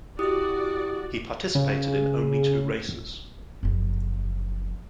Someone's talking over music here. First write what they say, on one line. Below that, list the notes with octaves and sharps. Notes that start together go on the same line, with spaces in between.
He participated in only two races.
E4 F#4 G4 D5 D#6
C#3
F#1 F3